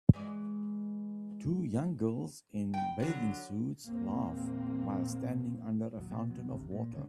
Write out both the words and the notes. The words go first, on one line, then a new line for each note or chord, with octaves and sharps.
Two young girls in bathing suits laugh while standing under a fountain of water.
E3 G#3 D5
G5
D3 F#3
A#1 E2 A#3 C4
A#1 D#2 F#3
B2
E1 F#3 B3
G#1 D2 C3
A#2
C#2 D3 F#3 C#4